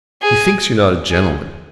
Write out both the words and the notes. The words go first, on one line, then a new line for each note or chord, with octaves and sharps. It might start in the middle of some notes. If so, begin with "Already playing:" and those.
He thinks you're not a gentleman.
G#4
G#4